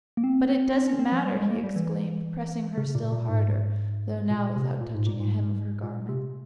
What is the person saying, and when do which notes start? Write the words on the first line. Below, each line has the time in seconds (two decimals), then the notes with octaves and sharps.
"But it doesn't matter!" he exclaimed, pressing her still harder, though now without touching a hem of her garment.
0.17 A#3
0.24 C4
0.49 C4
0.74 C4
0.88 C#4
0.99 C4
1.12 F3
1.25 G3
1.38 G#3
1.51 A#3
1.64 G3
1.76 E3
2.78 C#3
2.95 A#2
3.12 A#2
3.29 G#2
4.31 A#2
4.56 C3
4.81 A#2
4.94 G#2
5.06 A#2
5.20 G#2
5.32 G#2
5.83 A#2
6.09 C3